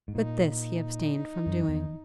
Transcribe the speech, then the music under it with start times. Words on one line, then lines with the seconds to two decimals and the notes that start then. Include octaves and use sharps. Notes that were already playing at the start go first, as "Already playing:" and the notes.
But this he abstained from doing.
0.08 G#2
0.14 A#2 D#4
0.47 D#4
1.46 F#2
1.68 E2